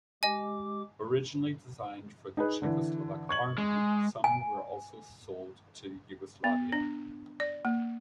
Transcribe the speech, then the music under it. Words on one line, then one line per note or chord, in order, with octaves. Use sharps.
Originally designed for the Czechoslovak Army, some were also sold to Yugoslavia.
G#3 G4 D#5 G#5 D6
D#4 G#4 B4
D3 E3
C#6 G#6 F#7
G#3
G#5
B3
D4
D5
A#3